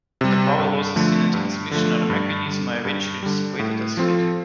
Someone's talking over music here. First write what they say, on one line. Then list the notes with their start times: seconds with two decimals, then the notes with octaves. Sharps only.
The power losses in a transmission or mechanism are eventually dissipated as heat.
0.21 C3 G3
0.59 G2
0.96 D3 F3 A3
1.34 G2
1.71 D3 F3 A3
2.10 G2
2.46 D3 G3
2.85 G2
3.23 D3 G3
3.59 A2
3.97 F3 C4 F4 A4